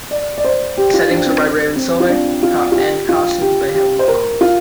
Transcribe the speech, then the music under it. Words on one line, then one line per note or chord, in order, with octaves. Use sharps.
Settings were by Raymond Sovey, and costumes by Helene Pons.
D5
D5
C5
G4
F4
D4
C4
C4
F4
D4
F4
F4
G4
F4
G4
G4
C5
A#4
F4